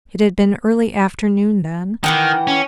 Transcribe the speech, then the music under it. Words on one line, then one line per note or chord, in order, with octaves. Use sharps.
It had been early afternoon then.
D#3 E3 F#5 G5
C#4